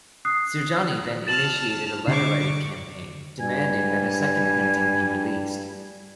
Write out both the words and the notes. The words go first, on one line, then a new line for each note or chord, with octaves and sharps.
Sirjani then initiated a letter-writing campaign, demanding that a second printing be released.
D#6 F#6 C7
A5 F6 A6 E7 F#7
D3 C#6 D6 C7
G2 G3 G#5